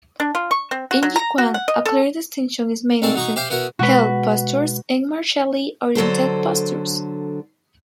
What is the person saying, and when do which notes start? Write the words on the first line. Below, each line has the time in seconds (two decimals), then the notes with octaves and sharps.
In Yiquan, a clear distinction is made between "health" postures and "martially oriented" postures.
0.20 D4
0.35 F4
0.51 C#6
0.71 C4
0.91 F#4
1.03 F#3
1.16 A#5
1.38 F#4
1.54 F#5
1.68 D#5
1.85 A4
3.02 C2 G#2 A3 C4 A#4 A5
3.15 F#3 D#4 A#5 C#6
3.36 G4 C5 E5 F5 G5
3.50 B3 E4 F#4 A#4
3.79 B2 G#3 F#4 B4
5.95 D3 F#3 A4 C5